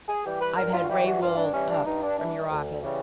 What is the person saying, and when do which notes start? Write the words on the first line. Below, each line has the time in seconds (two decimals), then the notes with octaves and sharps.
I've had Ray Wills up from your office.
0.08 G#4
0.25 E3 G3 G4
0.40 B4
0.56 G2 A#4
0.73 F4
0.84 F#4
0.89 E3 G3 G4
1.05 F#4
1.21 G2 F4
1.37 D4
1.53 E3 G3 C#4
1.70 D4
1.85 G2 D#4
2.02 D4
2.18 E3 G3 D4
2.50 D2
2.83 C#3 E3 G3